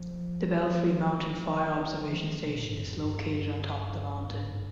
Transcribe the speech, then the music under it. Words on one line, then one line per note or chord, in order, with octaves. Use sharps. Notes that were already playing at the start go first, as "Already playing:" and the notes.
The Belfry Mountain Fire Observation Station is located on top of the mountain.
Already playing: F3
F3
D#3
F3
D#3
D#3
F3
D#3
C3
A#2
G#2
F2
G2
G#2
G2